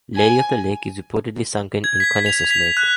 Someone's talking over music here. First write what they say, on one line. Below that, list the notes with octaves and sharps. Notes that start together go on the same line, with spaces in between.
Lady of the Lake is reportedly sunken in Conesus Lake.
G#5
G#6
B6
F7
B6
F#6